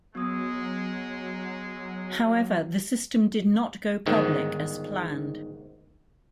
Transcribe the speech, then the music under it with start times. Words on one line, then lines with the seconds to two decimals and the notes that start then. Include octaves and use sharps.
However, the system did not go public as planned.
0.15 F#3 G#3 B3 D#6
4.06 G1 G#2 D#3